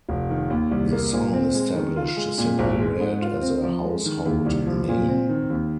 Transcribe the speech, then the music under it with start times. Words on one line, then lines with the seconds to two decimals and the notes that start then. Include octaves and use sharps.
The song established Simply Red as a household name.
0.09 F1
0.30 D#3
0.50 D#2
0.71 C2
0.92 A#3
1.13 A#2
1.33 C4
1.54 G#3
1.75 D#3
1.96 F4
2.17 G#3
2.38 A#2
2.59 G#1
2.80 G#3
3.00 G#2
3.22 F4
3.42 C4
3.64 F3
3.84 G#3
4.05 D#3
4.25 D#2
4.46 C2
4.67 F3
4.89 A#2
5.08 C4
5.29 D#3
5.50 D#2